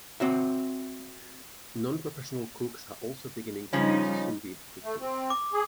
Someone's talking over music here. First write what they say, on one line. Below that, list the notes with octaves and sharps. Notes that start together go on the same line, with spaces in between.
Non-professional cooks are also beginning to use sous-vide cooking.
C4 F#4 E5
C#3 F3 G3 C#4 D#4
A3
C4
D6
G#4